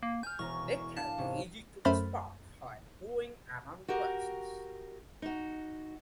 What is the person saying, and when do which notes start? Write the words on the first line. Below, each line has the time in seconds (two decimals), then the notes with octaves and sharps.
They can be easy to spot when growing among grasses.
0.03 A#3
0.23 G#5 F6 G6
0.39 E1 A#4 C#6
0.97 D4 F5 A5
1.18 G#2 C3 C#4
1.85 F#2 A3 C5 B5 F6 A6
3.88 F#4 G4 A#4
5.22 D#4 F#4